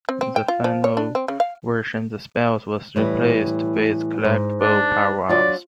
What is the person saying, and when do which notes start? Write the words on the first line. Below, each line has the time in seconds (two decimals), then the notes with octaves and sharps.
In the final version, the spells were replaced with collectible powerups.
0.09 C4
0.21 C4
0.36 G5
0.48 F4
0.64 F3
0.84 C#5
0.97 D4
1.15 C4
1.28 C#3
1.40 F5
2.96 A2 E3 G3
4.25 G#2
4.61 D4
5.29 F#3 D4 F4 D5